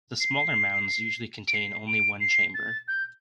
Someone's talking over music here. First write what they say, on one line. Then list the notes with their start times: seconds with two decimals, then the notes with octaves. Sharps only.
The smaller mounds usually contain only one chamber.
0.20 C7
1.48 D7
1.54 C7
1.87 D7
2.20 C7
2.54 A6
2.88 G6